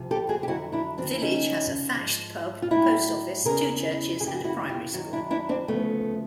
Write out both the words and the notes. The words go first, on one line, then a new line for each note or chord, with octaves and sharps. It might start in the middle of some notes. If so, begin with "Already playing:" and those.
The village has a thatched pub, post office, two churches and a primary school.
Already playing: D2 C3 F3
G4 A4
F#4 G#4
G4
F2 D3 F#3 E4 F#4
D4 E4
C4 D4
E4
D#2 C#3 F3 C#4 D#4
G#2 F3
F4
A2 F#3 D4 E4
E2 C#3 E3 G#4 A#4
F#2 C#3 E3 G#4
G4
F#4 G#4
E4 F#4
F4 G4
F#2 D#3 F#3 E4 F#4
D4 E4
D4 E4
C4 D4
D2 C#3 F3 A3 B3